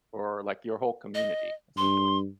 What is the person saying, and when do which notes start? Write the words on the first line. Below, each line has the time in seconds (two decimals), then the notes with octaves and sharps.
for, like, your whole community, essentially.
1.14 D#5
1.77 G2 C6